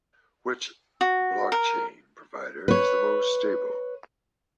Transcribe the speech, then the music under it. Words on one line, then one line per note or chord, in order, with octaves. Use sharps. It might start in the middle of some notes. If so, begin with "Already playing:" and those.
Which blockchain provider is the most stable?
F#4
A#4
B4 C#5